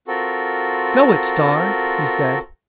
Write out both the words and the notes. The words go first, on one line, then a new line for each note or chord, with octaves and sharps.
"Go it, Star!" he said.
C4 F4 F#4 A4 A#4